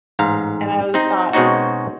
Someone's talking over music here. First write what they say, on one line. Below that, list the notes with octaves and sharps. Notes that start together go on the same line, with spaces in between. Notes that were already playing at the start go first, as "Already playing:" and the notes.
and I w thought
A1 G#2 F5 A#5
C4 D#4
B2 G#3 C4 C#4 D#4 F#4